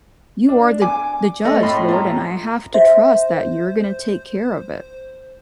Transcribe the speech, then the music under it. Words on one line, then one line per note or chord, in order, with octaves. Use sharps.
you are the the judge, Lord, and I have to trust that you're gonna take care of it.
D4
G#5 D6
A3 D#5
A2 B5 C6
F4 D#5 A#5
C5 E5